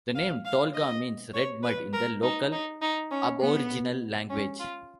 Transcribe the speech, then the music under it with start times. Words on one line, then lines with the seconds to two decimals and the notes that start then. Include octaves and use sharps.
The name Tolga means "red mud" in the local Aboriginal language.
0.15 F5
0.45 F5
0.74 D#5
1.34 C#5
1.63 B4
1.93 A#4
2.22 D#4
2.52 D#4
2.82 D#4
3.11 C#4
3.41 B3
4.29 C#4
4.59 F4